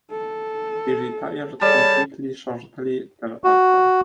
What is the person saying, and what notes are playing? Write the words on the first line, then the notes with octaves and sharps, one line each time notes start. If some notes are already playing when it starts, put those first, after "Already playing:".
He retired completely shortly thereafter.
A4
G3 G#4 A4 C#5 A5
F#4